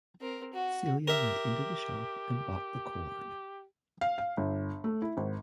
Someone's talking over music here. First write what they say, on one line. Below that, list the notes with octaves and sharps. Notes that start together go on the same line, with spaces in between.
Celia went into the shop, and bought the cord.
C4 A#4
F#4
G4 A#4 E5
F5
F5
G1
A3
E4
G#1